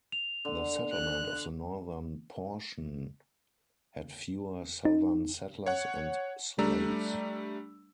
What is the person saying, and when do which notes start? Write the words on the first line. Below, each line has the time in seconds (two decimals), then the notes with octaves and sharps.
The settlement of the northern portion had fewer Southern settlers and slaves.
0.12 F7
0.45 D3
0.92 F#6
4.85 D#4
5.66 C#5 F#5
6.58 G3 A3 D4 A#5 E6